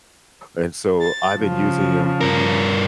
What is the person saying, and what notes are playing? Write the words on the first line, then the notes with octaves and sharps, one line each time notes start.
And so, I’ve been using ’em
A6
C#3 F3
G2 A#4